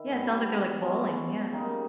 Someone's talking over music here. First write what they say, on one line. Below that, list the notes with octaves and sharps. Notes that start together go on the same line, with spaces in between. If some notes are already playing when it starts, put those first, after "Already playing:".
Yeah, sounds like they're, like, bowling, yeah.
Already playing: D#3 E4
G2 G3 B3
B2 G#3 C#4
C#3 G3 A#3 D#4